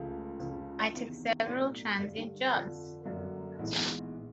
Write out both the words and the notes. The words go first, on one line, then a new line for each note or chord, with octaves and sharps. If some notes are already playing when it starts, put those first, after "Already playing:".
I took several transient jobs.
Already playing: C#2 C#3 F3 A3
C#2 C#3 F3
E2 C3 D#3
B1 A2 F#3 A3 D4
G2 D3 G3
F2 D3 F3
F#2 D3 F#3 A#3
A#1 G#2 E3 G#3 B3